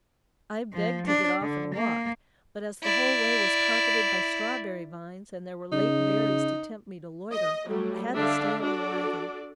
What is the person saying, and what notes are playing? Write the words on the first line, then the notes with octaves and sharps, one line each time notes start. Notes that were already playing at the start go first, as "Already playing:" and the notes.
I begged to get off and walk; but as the whole way was carpeted by strawberry vines and there were late berries to tempt me to loiter, I had to stay on the wagon.
F3
D4
D3
A#3
E4 D5
C#3 D#4
D#5
F#3 G3 A3
D3 D4 E5 F5
D4 F#4 A4 D5